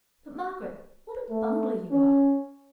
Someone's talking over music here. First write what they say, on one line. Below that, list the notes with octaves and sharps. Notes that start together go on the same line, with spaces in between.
But, Margaret, what a bungler you are!
A3
C#4